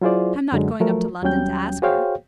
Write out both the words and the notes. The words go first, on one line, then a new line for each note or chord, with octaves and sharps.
I'm not going up to London to ask her.
F#3 E4 F4 G#4 C5 D5
F#2 D3 F#3 G#3
F3 F#3 A3 A#4
D#2 F#3 G3 C#4 G5 G6
F#4 G#4 C5 C#5 F5 G5